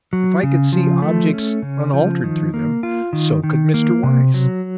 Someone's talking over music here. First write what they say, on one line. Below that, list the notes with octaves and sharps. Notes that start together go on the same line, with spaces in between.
If I could see objects unaltered through them, so could Mr. Weiss.
F#3
C#3
F3
A3
C#4
C#3
F3
D#3
A#3
F4
D#3
D#3
A#3
C3
F#3